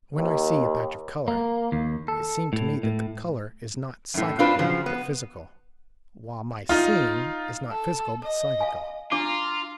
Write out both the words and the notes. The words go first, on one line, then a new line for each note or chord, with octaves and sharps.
When I see a patch of colour, it seemed to me that the colour is not psychical, but physical, while my seeing is not physical, but psychical.
D#2
A#3
D#2
A4
A2
A2
F#2 A2
C4 D4 F4 B4
C#3 F3 F#3
B3
D#4 F4
A4
D#5
F5 G#5
D4 F4 A#5 D6